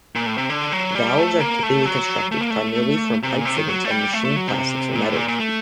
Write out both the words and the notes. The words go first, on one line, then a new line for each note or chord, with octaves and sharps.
Valves are typically constructed primarily from pipe fittings and machined plastics or metals.
A#2
A2
C3
D3
F#3
G3
A3
A#3
A3
F#3
A3
A#3
A3
C3
A#2
C3
D#3
F#3
A3
G3
A3
A3
F#3
C3
A#2
A2
A#2
A#2
A3